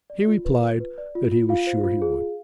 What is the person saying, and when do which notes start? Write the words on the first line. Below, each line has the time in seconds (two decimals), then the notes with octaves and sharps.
He replied that he was sure he would.
0.10 D5
0.28 F4
0.45 B4
0.62 F4
0.80 B4
0.98 D5
1.15 F4
1.32 F4
1.49 F4 F5
1.67 C5
1.84 F4
2.02 G#4
2.19 G#4